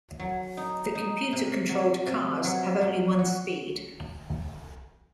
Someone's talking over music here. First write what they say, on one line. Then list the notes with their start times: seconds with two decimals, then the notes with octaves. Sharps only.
The computer-controlled cars have only one speed.
0.20 F#3
0.57 D#4
0.95 D#4
1.33 C3
1.69 F#3
2.07 C3
2.44 F#3
2.81 F#3
3.19 F#4